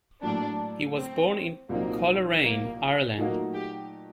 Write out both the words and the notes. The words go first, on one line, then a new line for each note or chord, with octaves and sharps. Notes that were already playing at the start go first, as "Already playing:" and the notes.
He was born in Coleraine, Ireland.
A2 F#3 A#3 D4
C4
C2 A#2 F#3 A#3 C4 D#4
A#3
A#2 F#3 A3 A#3 D#4 F#4
G4